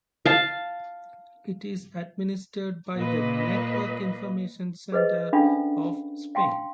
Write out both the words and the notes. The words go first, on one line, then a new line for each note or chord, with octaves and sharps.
It is administered by the Network Information Centre of Spain.
F5 A5
A#2 A#3 B4 D#5
G#4 B4 C5 D#5
C#4 D4 A4 F5 B5
F5 G5 A5 C6